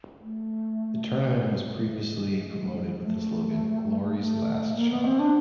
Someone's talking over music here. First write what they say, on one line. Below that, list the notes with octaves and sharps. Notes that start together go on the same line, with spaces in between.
The tournament was previously promoted with the slogan "Glory's Last Shot".
A3
A3
A3
G#3
G#3
G#3
A3
A3
A#3
B3
C4
D4